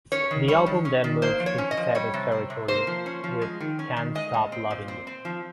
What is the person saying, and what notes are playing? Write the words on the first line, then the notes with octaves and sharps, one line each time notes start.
The album then moves into Sammy's territory with "Can't Stop Lovin' You".
C#4 C#5
D#3
G3 C#5
D#3
C#4
D#3
A#3 C5
F3
C#5
C#4
D#5
F3
G3 C#5
C3
C4
C3
A#3 C5
F3
C#4
F3
G#3
D#3
C#4
D#3
G#3 D#5
A#2
C4
A#2
C4
C4
F3